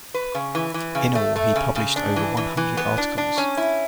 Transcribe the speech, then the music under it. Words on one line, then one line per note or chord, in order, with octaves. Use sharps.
In all, he published over one hundred articles.
B4
C#3
E3
E3
C#3
A3
A3
C#3
C#3
D4
E3
E3
E3
B3
D4
D4
C#4
E4